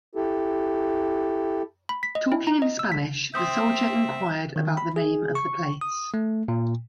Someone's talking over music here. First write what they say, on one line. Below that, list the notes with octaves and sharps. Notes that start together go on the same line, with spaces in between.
Talking in Spanish, the soldier inquired about the name of the place.
E4 G4 A4
B5
B6
D#5
E4
A#5
D#5
E6
B6
C4 E5 C6 D#6 G6
D#3
B5
G#4
C#6
D#6
A3
A#2